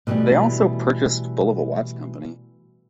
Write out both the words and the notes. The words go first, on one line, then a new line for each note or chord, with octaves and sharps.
They also purchased the Bulova Watch Company.
B2 D3 E3 G3 A3